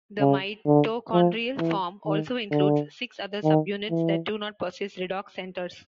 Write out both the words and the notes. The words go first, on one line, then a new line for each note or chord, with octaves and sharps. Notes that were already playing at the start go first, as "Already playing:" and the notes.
The mitochondrial form also includes six other subunits that do not possess redox centres.
C#3
D3
F3
E3
D#3
D3
D#3
E3